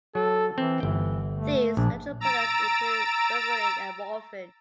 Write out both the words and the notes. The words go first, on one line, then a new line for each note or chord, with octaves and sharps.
These natural products include berberine and morphine.
F#3 A4
E3 C4
G1 E3 G5
A3
A#1 D4
A#5 E6 A6 D7